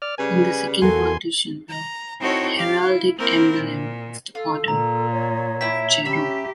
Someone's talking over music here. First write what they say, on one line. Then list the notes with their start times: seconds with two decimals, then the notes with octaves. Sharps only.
In the second partition, the heraldic emblem of the Order of Jerome.
0.02 D5 F6
0.18 C#3 G3 B4 G#5
0.82 E2 F#3 A#3 F#4 A4 G#5 C6
1.69 A#5
2.20 C4 D#4 E4 F#4 A4 C#5
2.57 G4 F5
2.86 E4
3.18 A#3 C4 E4 A#4
3.59 A#2
4.35 F4 A4
4.68 A#2 A#5
5.12 C#5
5.61 E4 E5 G5 B6
6.05 C#4 G4 E5 B5